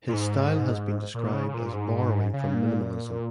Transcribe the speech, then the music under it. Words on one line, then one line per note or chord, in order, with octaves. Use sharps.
His style has been described as borrowing from Minimalism.
A#2
G#2
A#2
C#3
C#3
A#2
G#2
C#3
A#2